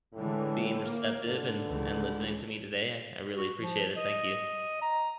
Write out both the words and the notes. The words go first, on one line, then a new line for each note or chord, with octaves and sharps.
being receptive and and listening to me today. I I really appreciate it, thank you.
A2 D3 E3 G#3
A#3
G#2 D3
C#2 E3
F#4
F3
D#5
A#5